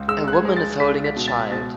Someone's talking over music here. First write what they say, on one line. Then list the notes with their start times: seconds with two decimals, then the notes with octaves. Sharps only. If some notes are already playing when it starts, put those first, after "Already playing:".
A woman is holding a child.
Already playing: C#2
0.08 G#3 E6
0.28 F#6
0.33 G#6
0.45 G#3
0.56 A6
0.80 C#2 B6
1.04 B6
1.16 B2
1.28 A6
1.51 B2 A6